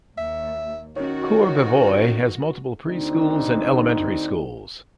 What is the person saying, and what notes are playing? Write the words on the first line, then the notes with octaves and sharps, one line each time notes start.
Courbevoie has multiple preschools and elementary schools.
D#2 E5
D#3 C#4 F#4 C#5
D2 C4 D4 D#4